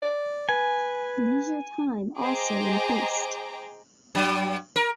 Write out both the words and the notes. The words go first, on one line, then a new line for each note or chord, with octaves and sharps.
Leisure time also increased.
D5
B4 G#5
G#4 C5 D#5 G5 A#5 D6
G2 F#3
A#4